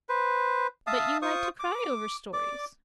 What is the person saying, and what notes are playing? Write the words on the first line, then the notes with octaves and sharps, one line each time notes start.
"But you like to cry over stories?"
B4 C5
E5 F5 A5 D#6
F4 C5 C#6 D#6
D6
D5 D6